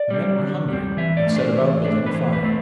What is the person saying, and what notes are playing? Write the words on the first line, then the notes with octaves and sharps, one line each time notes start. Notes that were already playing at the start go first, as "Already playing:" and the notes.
The men were hungry and set about building a fire.
Already playing: D5
G3 C4
D3
G3 C4
E3 E5
D5
A3 D4
C5
E3
A3 D4
B4
E3 C5
B4
A3 C4